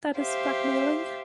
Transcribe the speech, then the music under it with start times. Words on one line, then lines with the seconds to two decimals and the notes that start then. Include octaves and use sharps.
That is blackmailing.
0.18 G4 C5 E5 F5